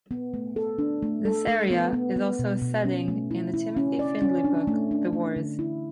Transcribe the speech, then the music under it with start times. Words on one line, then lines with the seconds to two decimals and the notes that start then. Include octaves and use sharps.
This area is also a setting in the Timothy Findley book The Wars.
0.11 B3
0.34 A3
0.56 A4
0.79 D4
1.03 A3
1.25 A4
1.47 A3
1.70 B3
1.93 B3
2.16 B3
2.39 B2
2.62 B2
2.85 C#4
3.08 A3
3.31 E4
3.54 E4
3.77 C#4
3.99 D5
4.22 C#4
4.44 D4
4.67 A3
4.91 D4
5.13 A3
5.36 D3
5.59 E4